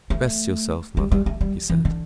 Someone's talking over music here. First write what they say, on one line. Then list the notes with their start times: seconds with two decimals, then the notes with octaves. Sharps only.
"Rest yourself, mother," he said.
0.10 A3
0.97 G3
1.11 G3
1.26 A3
1.41 G3
1.70 E3
1.85 D3